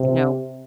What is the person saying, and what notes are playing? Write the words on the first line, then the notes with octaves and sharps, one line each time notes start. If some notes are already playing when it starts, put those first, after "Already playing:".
you know,
Already playing: C3